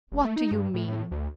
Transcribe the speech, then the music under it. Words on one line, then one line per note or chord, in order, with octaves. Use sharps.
"What do you mean?"
F1
A3
D#4
G2
A2
A2
D2